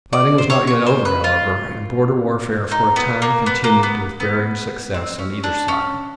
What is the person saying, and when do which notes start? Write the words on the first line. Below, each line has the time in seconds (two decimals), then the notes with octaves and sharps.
Fighting was not yet over, however, and border warfare for a time continued with varying success on either side.
0.13 D5
0.38 C5
0.50 C#5
0.67 C#5
0.86 C5
1.05 B4
1.24 F4
2.71 D#4
2.96 B3
3.22 A#3
3.46 B3
3.64 A#3
3.83 B3
4.20 B3
4.94 C4
5.19 C#4
5.44 D4
5.68 C#4